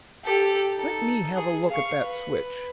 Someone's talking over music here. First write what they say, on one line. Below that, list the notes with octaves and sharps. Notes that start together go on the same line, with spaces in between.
"Let me have a look at that switch."
G4 A4
D#4 A4
G#4
F5 C#6
B4